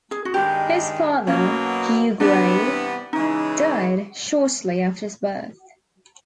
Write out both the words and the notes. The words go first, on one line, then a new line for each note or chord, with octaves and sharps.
His father, Hugh Gray, died shortly after his birth.
G#4
F#4
G2 D#3 G#3 G4
B2 F#3 A#3 C#4
C3 E3 G3 B3 D4
C#3 E3 G#3 D#4